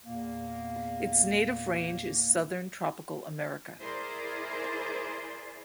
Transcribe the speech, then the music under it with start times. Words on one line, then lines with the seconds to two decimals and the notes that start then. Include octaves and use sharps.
Its native range is southern Tropical America.
0.05 E2 A#2 A#3
3.80 E4 G#4 A#4 C5 D5